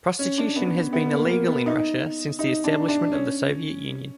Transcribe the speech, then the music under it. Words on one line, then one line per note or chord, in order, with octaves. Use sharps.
Prostitution has been illegal in Russia since the establishment of the Soviet Union.
C#4
D4
B3
B3
A#3
A#3
B3
D#4
D#4
D4
D4
C#4